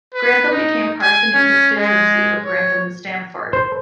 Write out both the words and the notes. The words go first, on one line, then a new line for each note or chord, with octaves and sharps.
Grantham became part of the new constituency of Grantham and Stamford.
B4
D#4
G#5
C#4
G#3
C#5
C5